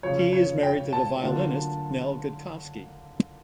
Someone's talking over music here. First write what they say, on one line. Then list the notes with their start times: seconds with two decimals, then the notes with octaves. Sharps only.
He is married to the violinist Nell Gotkovsky.
0.03 F2 C#3 F3 C#5
0.33 C#5
0.63 G5
0.93 A5
1.23 D3 F#3 A#3 D4 F4